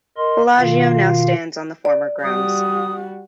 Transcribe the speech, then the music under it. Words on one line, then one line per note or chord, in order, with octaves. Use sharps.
Bellagio now stands on the former grounds.
A#4 D#5 C6
B2 D#3 F4 F5
D5
G3 F#4 D#6